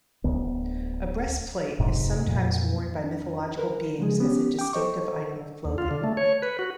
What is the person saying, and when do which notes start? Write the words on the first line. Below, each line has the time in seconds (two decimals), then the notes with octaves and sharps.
A breastplate is sometimes worn by mythological beings as a distinctive item of clothing.
0.24 D1 D2 B3
1.79 F1 G#2 C3
2.27 F2 A#2
3.04 F2 D4
3.58 A#4 B4
3.99 C#3 F3 G#3 G#4
4.20 B3 C#4 G4
4.59 G5 D6
4.73 A4 C5 D#5 C#6
5.65 D#2
5.78 F4
5.91 D3
6.04 A3
6.17 C#5
6.42 B4
6.59 F#4